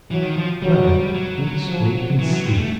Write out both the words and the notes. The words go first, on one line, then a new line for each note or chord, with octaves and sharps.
However, let us wait and see.
E3 F#3
D#3
F3
F#3 G3
F#3
F3
E3 F#3
F#3
G3
A3